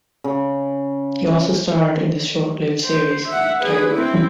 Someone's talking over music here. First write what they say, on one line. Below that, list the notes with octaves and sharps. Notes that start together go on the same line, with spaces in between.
He also starred in the short-lived series Tightrope!
C#3
C5
E5 F#5
G#4 B4
C4 E4